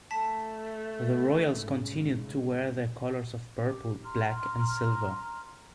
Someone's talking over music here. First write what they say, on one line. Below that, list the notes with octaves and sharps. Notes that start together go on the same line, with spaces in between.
The Royals continued to wear their colors of purple, black, and silver.
A3 A5 B6
C2 G#2 C#3
G4
A#5 C6 F6